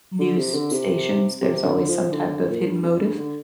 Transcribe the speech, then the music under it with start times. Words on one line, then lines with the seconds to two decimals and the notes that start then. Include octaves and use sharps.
news s stations, there's always some type of hidden motive,
0.19 D3
0.37 C3
0.54 D3
0.72 C3
1.42 C3
1.65 D3
1.89 F3
2.13 D3
2.30 D3
2.48 A#2
2.65 G2
2.83 F2
3.01 G2
3.18 D3